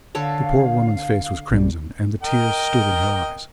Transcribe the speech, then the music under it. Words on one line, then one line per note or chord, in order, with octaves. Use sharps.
The poor woman's face was crimson, and the tears stood in her eyes.
D3 A4 C#5 F5
A#1 C#3 G3
A#4 D#5 G5